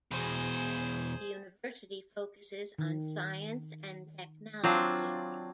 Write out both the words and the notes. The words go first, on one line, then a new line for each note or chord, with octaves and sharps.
The University focuses on science and technology.
E2 B2 G#4 C5
D#3
F#3 C4 D4 F4